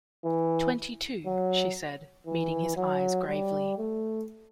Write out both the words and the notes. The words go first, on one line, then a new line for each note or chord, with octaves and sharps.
"Twenty-two," she said, meeting his eyes gravely.
E3
F#3
E3
F#3
G3
A3